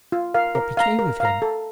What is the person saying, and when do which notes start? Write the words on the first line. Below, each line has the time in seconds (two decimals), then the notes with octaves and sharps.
What became of him?
0.12 F4
0.34 A#4 F5
0.55 A#4
0.77 F5 A#5
0.99 A#4
1.20 F5 A#5
1.42 A4